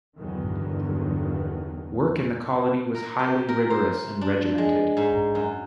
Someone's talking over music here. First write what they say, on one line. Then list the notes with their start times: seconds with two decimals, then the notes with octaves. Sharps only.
Work in the colony was highly rigorous and regimented.
0.18 E2 G2 D3 D#3 F#3
2.95 A#4
3.19 G4
3.49 A#4
3.70 C5
4.21 D4
4.58 G#3
4.97 G#2
5.35 F#2